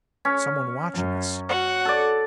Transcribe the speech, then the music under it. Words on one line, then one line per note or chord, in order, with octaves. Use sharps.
Someone watching us.
C#4
F#2
F#4 F#5
A4 D5